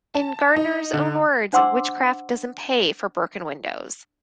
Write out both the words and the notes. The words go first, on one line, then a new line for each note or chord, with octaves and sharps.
In Gardner's own words, Witchcraft doesn't pay for broken windows!
A5
D#4
D3
D4 C5 F#5 C6 D6 E6